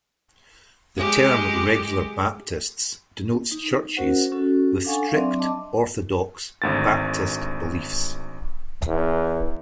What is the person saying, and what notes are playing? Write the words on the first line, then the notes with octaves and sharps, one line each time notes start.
The term Regular Baptists denotes churches with strict, orthodox Baptist beliefs.
G#3 G4
D#4
C#4 F#4 A#4 C5 F#5
C#4 F#4 A4
D4 A4 F5 F#5 G#5 C#6
F#3 C4 D4 D5 E5 C6
D#5 A5 D6
G#1 D2 A6
E2